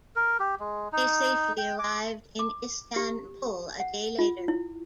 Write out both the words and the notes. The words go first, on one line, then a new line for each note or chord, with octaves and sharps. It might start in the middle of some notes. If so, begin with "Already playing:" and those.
They safely arrived in Istanbul a day later.
A#4
G4
G#3
D#4
G5
D6
D6
G4
F#5
F4
E4